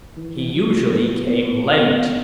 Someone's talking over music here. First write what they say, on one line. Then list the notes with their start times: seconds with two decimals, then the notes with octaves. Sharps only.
He usually came late.
0.17 E3
0.53 F#3
0.90 B3
1.26 B3
1.63 B3